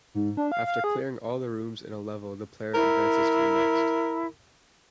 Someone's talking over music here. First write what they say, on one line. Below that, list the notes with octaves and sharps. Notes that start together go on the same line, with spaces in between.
After clearing all the rooms in a level the player advances to the next.
G#2
D4
F5
F5
G#4
E4 A#4